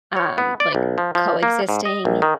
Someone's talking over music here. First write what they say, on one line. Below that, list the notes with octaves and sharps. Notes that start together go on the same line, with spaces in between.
um, like, coexisting.
C#5
B3
D5
B1
F3
F3
A#3
G#2
D#5
A#1
D#3